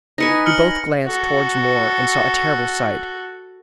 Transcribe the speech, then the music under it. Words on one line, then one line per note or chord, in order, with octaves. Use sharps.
We both glanced toward Moore, and saw a terrible sight.
D#4 B4 G#5 A#6 C#7
F6 C#7 F#7
F#4 A4